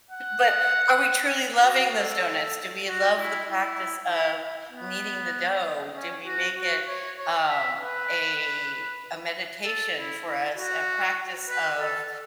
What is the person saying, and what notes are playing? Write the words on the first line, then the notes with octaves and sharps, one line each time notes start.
But are we truly loving those donuts? Do we love the practice of kneading the dough? Do we make it, um, a a meditation for us, a practice of
F#5
F#4
A4
F#4
E4
E4
E4
B3
C#4
F#4
F#4
C#5
C#5
E5
B4
A4
E4
E4
F#4
B4
A4